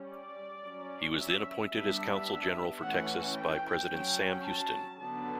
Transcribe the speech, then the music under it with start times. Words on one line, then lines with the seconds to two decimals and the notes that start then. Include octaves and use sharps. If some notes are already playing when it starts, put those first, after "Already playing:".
He was then appointed as consul general for Texas by President Sam Houston.
Already playing: G3 C#4
0.10 D5
0.63 F#3 C#4
1.18 E5
1.73 G3 B3 D4 E5
2.82 E3 A3 C#4 F#5
3.36 G5
3.91 F#3 C#4
4.45 A5
4.99 D3 F#3 B3 A5